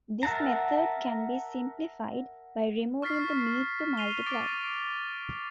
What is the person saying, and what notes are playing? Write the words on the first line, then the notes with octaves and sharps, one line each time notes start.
This method can be simplified by removing the need to multiply.
A#4 E5 F#5 A5 A#5
C#6 F6 A6 B6 C7
C7 D#7 F7 G7
D6 A6 D7